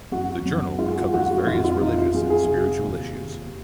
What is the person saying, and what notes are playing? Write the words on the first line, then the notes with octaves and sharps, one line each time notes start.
The journal covers various religious and spiritual issues.
F#2 F#4
F#2
G#3 F4
G#4
F#4
F3 F#4
F#4
F2 F4
F4
F2 D#4
F4
F#3 G#4
F#4
G#4
C3
D#2
D#2